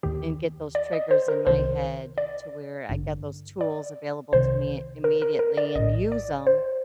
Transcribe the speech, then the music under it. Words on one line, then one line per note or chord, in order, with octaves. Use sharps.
and get those triggers in my head to where I get those tools available to me immediately and use 'em,
D#2 D#3 G4
D5
D#5
C5
A#4
C2 C3 D#3 C5
D5
A1 G2 D3
D5
C2 C3 D#3 C5
A#4
A#4
A#4
D5
A#1 A2 D#5
D5
C5